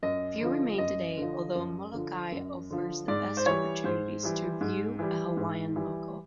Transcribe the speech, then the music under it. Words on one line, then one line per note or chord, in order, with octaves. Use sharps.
Few remain today, although Molokai offers the best opportunities to view a Hawaiian "loko".
F#2 D#5
D3 F3
F#2 D#5
D3 F3
F#2
D3 F3
F#2
D3 F3
G#2 D5
C5
E3 G3 C#5
G#2 C5
E3 G3
G#2
E3 G3
G#2
E3 G3